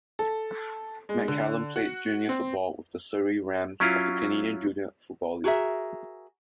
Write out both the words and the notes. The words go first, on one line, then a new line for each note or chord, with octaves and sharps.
McCallum played junior football with the Surrey Rams of the Canadian Junior Football League.
A4
G#3
D3
F#4
C4
F#3 C#4 E4 F4
F#4 G#4 A#4 E5